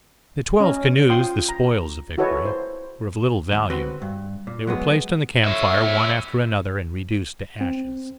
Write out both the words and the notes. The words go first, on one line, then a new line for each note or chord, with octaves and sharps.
The twelve canoes, the spoils of victory, were of little value; they were placed on the camp fire one after another, and reduced to ashes.
C#4 D#5
F4 G5 C6 D#6
A#5
E4 F#4 A4 B4 C#5 D#5
C5
D#2 G#2
D3 C4 F#4 B4 C5
G2
A#2
F#3 G#3 B3
C#5 E5
C4